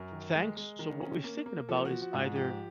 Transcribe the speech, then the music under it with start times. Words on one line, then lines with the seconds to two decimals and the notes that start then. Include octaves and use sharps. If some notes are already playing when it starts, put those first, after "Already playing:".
"Thanks." So, what we're thinking about is either
Already playing: F#2 A#4
0.12 D#3
0.35 G#3
0.57 G#3
0.79 D#3
1.01 C#4
1.24 A#3
1.46 A#3
1.69 F3 A4
1.85 F#4
1.90 F3
2.02 F#4
2.14 G#2
2.35 F3 G4